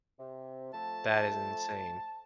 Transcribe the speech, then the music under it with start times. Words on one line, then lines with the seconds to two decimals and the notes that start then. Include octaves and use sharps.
That is insane.
0.19 C3
0.73 F3 A3 A5